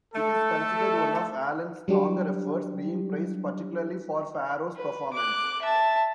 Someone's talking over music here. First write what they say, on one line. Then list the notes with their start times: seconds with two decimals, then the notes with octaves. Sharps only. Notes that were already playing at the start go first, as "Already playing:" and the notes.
It is considered one of Allen's stronger efforts, being praised particularly for Farrow's performance.
0.14 A3 A4
1.88 F#3 G3 D4 G4
4.75 B4
5.13 D6 F#6
5.62 E5 A5